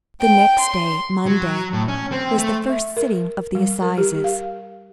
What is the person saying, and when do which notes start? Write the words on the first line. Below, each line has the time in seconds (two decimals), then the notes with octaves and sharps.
The next day, Monday, was the first sitting of the assizes.
0.21 G5
0.61 C6
1.26 F#3
1.73 A2
1.88 C#4
2.12 C4
2.38 A3
2.69 E5
2.97 A#4
3.55 G3
3.82 A#4
3.98 G4
4.24 F5